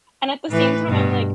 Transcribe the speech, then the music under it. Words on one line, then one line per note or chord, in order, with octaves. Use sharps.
and at the same time, I'm like,
A2 E3 B4
G2 B2